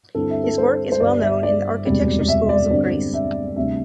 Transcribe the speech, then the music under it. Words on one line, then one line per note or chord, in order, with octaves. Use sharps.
His work is well known in the architecture schools of Greece.
G2 D3 C4 E4 A4
E5
A4
C5
C5
G1 G2 G3 D5
E5
D5
E1 D2 C3 G3
E5
D5
G2 D3 G3 C4 D5
E5
D2 C3 G3 D4 E5